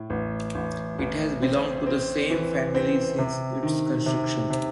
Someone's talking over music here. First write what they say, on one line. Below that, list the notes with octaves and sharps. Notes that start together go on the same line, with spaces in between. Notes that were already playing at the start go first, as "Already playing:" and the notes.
It has belonged to the same family since its construction.
Already playing: A2
A1
A1
A1
C4
C4
E3
C4
C3
D#3
C3
C3